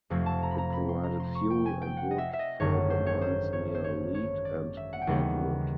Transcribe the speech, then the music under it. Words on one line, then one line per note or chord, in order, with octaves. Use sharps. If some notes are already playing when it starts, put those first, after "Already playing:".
It provided fuel and wood for the mines near Lead and Deadwood.
F1 F2 C3 F3 A3
A5
A#5
B5
A#5
B5
C6
A#5
C6
C#6
G5
G#5
G5
F#5
D#5
E5
E5
D#5
G#1 F#2 D3 C#5
C5
C#5
C5
C#5
C5
C#5
C#5
D5
E5
F#5
G5
D#2 C#3 E3 G3 B3 F#5